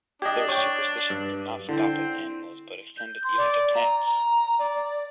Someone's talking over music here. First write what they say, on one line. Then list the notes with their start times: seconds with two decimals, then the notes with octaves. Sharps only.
Their superstition did not stop at animals but extended even to plants.
0.22 D4 G4 D#5 D#6 G#6
0.49 C#5 G5
1.10 G2
1.69 D3 C4 E4
2.98 G6
3.24 C6
3.38 D5
3.75 A#5
4.05 A#5
4.59 D5